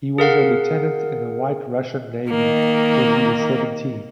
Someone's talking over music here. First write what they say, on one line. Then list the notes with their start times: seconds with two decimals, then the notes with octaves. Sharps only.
He was a Lieutenant in the White Russian Navy when he was seventeen.
0.18 G#4 A#4 F5 F#5
2.29 D#3 A#3